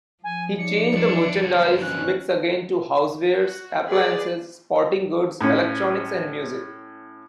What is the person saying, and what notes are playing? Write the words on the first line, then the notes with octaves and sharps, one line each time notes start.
He changed the merchandise mix again to housewares, appliances, sporting goods, electronics, and music.
F3 G#5
D#4 C#5 D5 C#7
E2 D4
G2 D3 F#3 A#3
B2 F3 C#4 F#6
F#4
G#4 B4 D5
A2 C#4